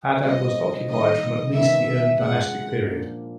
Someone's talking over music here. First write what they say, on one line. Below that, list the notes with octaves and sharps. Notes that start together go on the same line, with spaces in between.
Adab was occupied from at least the Early Dynastic period.
B2 G3 C4 F4 D#5
D#3 G3 A#3 D#4 D#5
C3 D#3 G3 B3 D#4 E5
G#3 C#4 F4 G#4 F#5
A#2 F3 A#3 D4